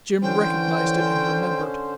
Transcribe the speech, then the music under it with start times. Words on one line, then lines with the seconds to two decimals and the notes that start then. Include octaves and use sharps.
Jim recognized it and remembered.
0.23 D3 E3 C#4 C5 G5